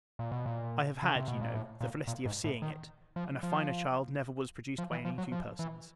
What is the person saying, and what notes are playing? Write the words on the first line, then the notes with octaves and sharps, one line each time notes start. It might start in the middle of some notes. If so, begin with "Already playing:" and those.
I have had, you know, the felicity of seeing it, and a finer child never was produced by any two persons.
A#2
B2
A#2
C#3
C3
B2
A#2
A2
A#2
A#2
G#2
A2
D#3
F3
F3
F3
E3
F3
F#3
F3
E3